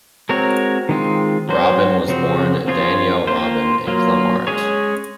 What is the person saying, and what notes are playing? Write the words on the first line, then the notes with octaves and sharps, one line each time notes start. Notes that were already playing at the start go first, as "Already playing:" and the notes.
Robin was born Danielle Robin in Clamart.
G#3 C4 F#4 A#4 C#5
D#3 G#3 C4 F4
F#3 C#4 F#4 C5
C#3 F3 C4 F#4
F3 C4 F4 G#4 C#5
A#3 F4 C5
F#3 A#3 F4
G#3 C#4 G#4 C#5